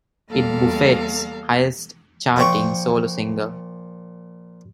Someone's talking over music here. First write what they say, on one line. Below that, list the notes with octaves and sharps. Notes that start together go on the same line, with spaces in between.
It Buffett's highest charting solo single.
E2 G3 A#3 A4 F5 A#5
A#2 F3 G5 C#6